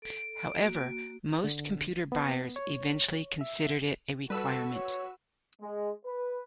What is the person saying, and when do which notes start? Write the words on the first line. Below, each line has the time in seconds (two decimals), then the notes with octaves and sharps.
However, most computer buyers eventually considered it a requirement.
0.02 A4 D7
0.60 A#3 F#4
1.44 D3
2.12 B3
2.56 C#5
3.41 E5
4.30 G3 F#4 A4 B4 E6
4.74 C#5
5.61 G#3
6.05 B4